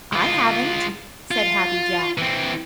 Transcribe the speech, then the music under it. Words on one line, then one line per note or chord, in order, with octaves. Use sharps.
"I haven't," said Happy Jack.
G#3 F4
F4
E3 C4